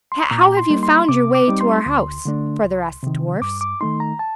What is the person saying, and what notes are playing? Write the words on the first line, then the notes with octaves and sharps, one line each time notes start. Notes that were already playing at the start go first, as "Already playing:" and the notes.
"How have you found your way to our house?" further asked the dwarfs.
C6
A#2 A#5
C6
G3 A#3 D#4
C6
C3 D6
D6
G3 C4 D#4
C6
D2
D3 A3 D4
C2
C3 D#3
G2 D6
D6
D#3 A3 D#4 C6
A#5
A5